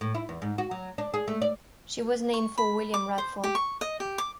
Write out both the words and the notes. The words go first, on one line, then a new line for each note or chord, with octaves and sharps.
She was named for William Radford.
A2
E4
E2
G#2
F#4
F#3
D4
G#4
A3
D5
C#6
B5
D6
C5
G4
C#6
D#5
G4
D6